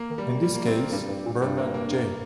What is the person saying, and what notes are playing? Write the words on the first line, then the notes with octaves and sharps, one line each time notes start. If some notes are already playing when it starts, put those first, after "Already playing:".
In this case, Bernard J.
Already playing: A#3
D#3
G3
C3
A#2 G3
A#3
C4
A#3
G2 G3
G2
A#2
G2 G3
A#3
A#3
A#3